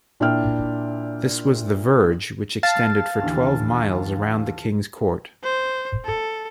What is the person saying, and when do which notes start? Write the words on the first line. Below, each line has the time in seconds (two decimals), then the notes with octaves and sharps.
This was the verge, which extended for twelve miles around the king's court.
0.20 A#2 D4 E4 E5 G5 F6
2.63 F5 A5 A6
3.21 D#2 D3 E3
5.44 C5
6.05 A4